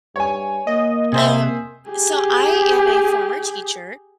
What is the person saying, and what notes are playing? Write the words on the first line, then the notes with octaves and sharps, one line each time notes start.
Um, so I am a former teacher
G2 C#5 G#5
A#3 D#5
C3 G#4 C5 E5
G4 G#4